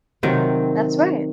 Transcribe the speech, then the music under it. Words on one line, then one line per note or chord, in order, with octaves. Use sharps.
That's right.
C3 D#3 F#3 C4